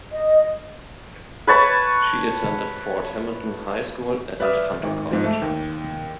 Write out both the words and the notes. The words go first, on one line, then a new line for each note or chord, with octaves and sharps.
She attended Fort Hamilton High School and Hunter College.
D#5
B4 C#5 A5 B5
B4 D5 E5 D#6 F6
G#1
G#2 F3
A3
D#2